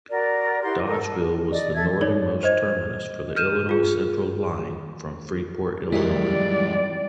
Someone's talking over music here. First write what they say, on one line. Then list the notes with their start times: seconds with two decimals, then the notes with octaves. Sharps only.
Dodgeville was the northern most terminus for the Illinois Central line from Freeport Illinois.
0.09 F#4 A#4 D5
0.62 E4 G4 F#5 C6
0.85 A4 A#4
1.00 A5
1.50 D5 D#5
1.74 A4 E5 G#6
2.01 D#4 C#5 D5
2.43 C5 D#5 G#6
3.36 F6 G6 D#7 E7
3.69 F4 G#4
5.92 F#2 E3 G3 G#3 E4 G4 A#4 D5